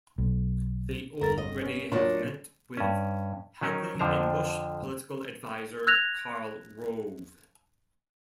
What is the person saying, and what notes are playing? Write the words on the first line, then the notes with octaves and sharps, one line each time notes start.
They already have met with Hadley and Bush political adviser Karl Rove.
B1
G1 A#4 A6
D#5
B3 C#4
A#2 F#3 D4 C#5 D#5
G2 C#4
D#3 F#3 C#4 D#4 A#4
F2 D3 F3 D4 C5 A#5
E6 F#6 G#6 A#6 F7